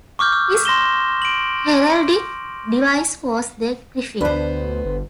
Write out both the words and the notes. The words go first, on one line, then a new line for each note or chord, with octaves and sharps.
His heraldic device was the griffin.
C#6 D6 F6 G6
E6
C6 A#6 E7 G7
D7 F#7
D2 B3 D4 B4 C5
G1